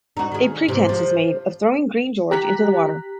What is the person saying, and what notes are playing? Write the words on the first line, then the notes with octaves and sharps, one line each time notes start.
A pretense is made of throwing Green George into the water.
D#4 F#4
D#3 G#4
G#2 C3
F3
G4 A#5 F#6 B6